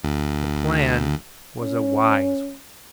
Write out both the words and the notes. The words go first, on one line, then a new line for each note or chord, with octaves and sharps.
The plan was a wise one.
D2
C#4